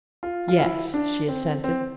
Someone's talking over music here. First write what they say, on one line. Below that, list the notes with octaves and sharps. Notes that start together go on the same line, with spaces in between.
"Yes," she assented.
F4
F4
E4
D4
C4
C4